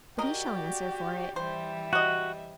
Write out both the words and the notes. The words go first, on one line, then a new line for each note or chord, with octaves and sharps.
'But he shall answer for it.
F#4 G4 A#4 D5 D#5
E3 G3 C5 E5
C3 F#4 D#5